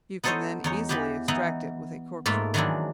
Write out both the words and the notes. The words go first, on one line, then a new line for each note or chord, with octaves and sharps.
You can then easily extract it with a corkscrew.
B3 D#4 A4 C5 C#5 D#5
E2 D#4 C#5
E3 B3 G4
E3 B3 D#4 E4
G#2 A3 A#3 F4 B5
D#3 E3 F#3 G#3 D4 E4